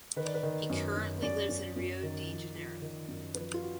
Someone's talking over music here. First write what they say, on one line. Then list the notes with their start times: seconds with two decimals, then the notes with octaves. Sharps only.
He currently lives in Rio de Janeiro.
0.16 D#3 B4
0.26 D5
0.34 B4
0.43 D#3
0.70 F#2
0.97 F#2
1.22 F#2 D5
1.49 F#2
1.76 F#2
2.03 D#3
2.29 F3
2.56 F3
2.82 D#3
3.08 F#2
3.35 F3 B4
3.54 F4
3.62 F#4